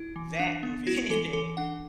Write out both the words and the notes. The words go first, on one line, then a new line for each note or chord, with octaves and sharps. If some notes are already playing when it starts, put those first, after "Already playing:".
That movie ending
Already playing: E4
E3
D4
B3
E4 F#4
E3 A4
E3 A4
D4 F#5